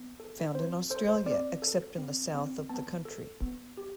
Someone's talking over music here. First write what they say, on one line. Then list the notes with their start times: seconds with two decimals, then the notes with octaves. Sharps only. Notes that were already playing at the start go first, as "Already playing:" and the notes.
Found in Australia except in the south of the country.
Already playing: B3
0.20 A4
0.54 C4 C5
0.90 A4 C5
1.09 C5
1.26 C4 D5
1.62 A4
1.98 C4
2.35 C4
2.69 B3 A5
3.05 A4
3.42 B3
3.77 G4